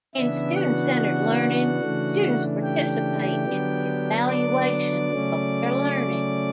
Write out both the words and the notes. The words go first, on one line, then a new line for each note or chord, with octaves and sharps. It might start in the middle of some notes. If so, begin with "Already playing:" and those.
In student-centered learning, students participate in the evaluation of their learning.
C#3 E3 B3 D4 E4 E5
F#4 F#5
C#3 E3 A3 D4
G4 G5
D3 F#3 B3 D4
D5 D6
C#3 F#3 A3 C#4